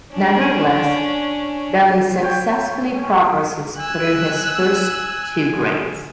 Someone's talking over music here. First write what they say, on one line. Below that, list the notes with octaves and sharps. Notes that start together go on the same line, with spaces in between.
Nevertheless, Billy successfully progresses through his first two grades.
C#4 D4
C#5 G5
G#5 E6 F#6